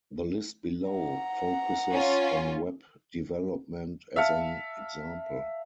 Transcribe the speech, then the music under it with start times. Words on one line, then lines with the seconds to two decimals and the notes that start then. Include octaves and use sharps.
The list below focuses on Web development as an example.
0.91 F#5 A#5
1.92 C#4 F4
4.16 E5 F5 A5 F6 C#7